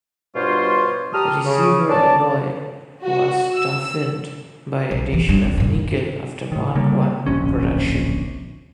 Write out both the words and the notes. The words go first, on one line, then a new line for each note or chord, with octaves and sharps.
The receiver alloy was toughened by addition of nickel after Mark One production.
G2 B2 G3 F4 C5 C#5
G4 A5 A#5 D#6 F6
C#3
C#4 D5 A5
F#4
E6
B1
E2 E3
G2
C#2 C4
G2 A#2
A2 D#3
C#3 G3 A#3
D1 A#1 C3 C#4